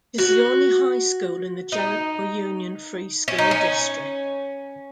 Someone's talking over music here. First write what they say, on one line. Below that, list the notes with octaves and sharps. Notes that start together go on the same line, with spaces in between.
It is the only high school in the Jericho Union Free School District.
F#4
D#4
C#4
D#4
C#4